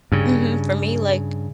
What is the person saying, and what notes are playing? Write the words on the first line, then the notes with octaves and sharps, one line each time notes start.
Mhm, for me, like
G2 C#3